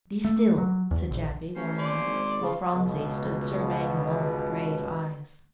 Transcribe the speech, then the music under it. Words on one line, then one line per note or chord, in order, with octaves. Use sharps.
"Be still," said Jappy warningly, while Phronsie stood surveying them all with grave eyes.
A3
F#3
E2
A#1
A1 C#4 C5
D5 C6
A#1
G#1
C#3 F4
C#2 B2